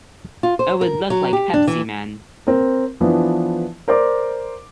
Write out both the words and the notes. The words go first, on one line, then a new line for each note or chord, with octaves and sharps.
It would look like Pepsi Man!
F4
C5
A#4
F#3
G4
D4
E3
C4 A#4
E3 F3 B3 D4
A#4 C5 D5 D6